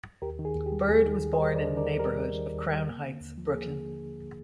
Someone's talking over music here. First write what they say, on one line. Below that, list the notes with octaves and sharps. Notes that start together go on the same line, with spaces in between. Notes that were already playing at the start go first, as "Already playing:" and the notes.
Byrd was born in the neighborhood of Crown Heights, Brooklyn.
D#2 G4 A#4
D#3
G#4
D#2
G4
G3
D#2 G#4
D#3
D#2
C5 D#5
G3
D#2 A#4 D5
D#3
A#4 D5
D#2
G4 A#4
G3
D#2
D#3
D#2
G3
A#3
D3
D#2
F3
A#3 G#4
D3